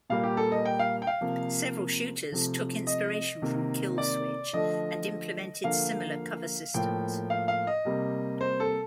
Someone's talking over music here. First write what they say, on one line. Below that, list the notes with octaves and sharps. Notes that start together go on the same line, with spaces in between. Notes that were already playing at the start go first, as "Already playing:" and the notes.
Several shooters took inspiration from "Kill Switch" and implemented similar cover systems.
A#2 G3 A#3 F5
G4
A4
D#5
G5
F5
G5
F5
C3 F3 A#3
C3 F3 A3
D#5
C3 D#3 A#3
D5
D3 F3 A3 D#5
D3 F3 A#3 F5
A2 F3 A#3 G5
F5
F5
D#5
C3 G3 A#3
C5
A4